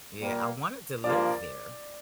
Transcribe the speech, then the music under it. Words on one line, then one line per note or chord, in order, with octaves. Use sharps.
Yeah, I wanted to live there,
A#2 G3 A#3
G2 F3 A#3 F4 D5